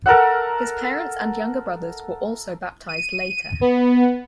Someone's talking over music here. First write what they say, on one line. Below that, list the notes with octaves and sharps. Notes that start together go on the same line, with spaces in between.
His parents and younger brothers were also baptized later.
A4 A#4 E5 F#5
D#7
B3